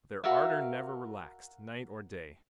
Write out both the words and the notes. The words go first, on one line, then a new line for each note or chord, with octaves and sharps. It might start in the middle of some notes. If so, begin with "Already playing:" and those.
But their ardor never relaxed, night or day.
F#4 A#4 E5 F5